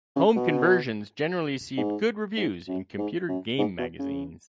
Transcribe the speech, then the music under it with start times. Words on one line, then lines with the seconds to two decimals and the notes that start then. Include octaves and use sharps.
Home conversions generally received good reviews in computer game magazines.
0.16 C#3
0.36 B2
1.77 G#2
2.37 G#2
2.68 F#2
2.98 G#2
3.29 F#2
3.58 G#2
3.79 B2
3.99 C#3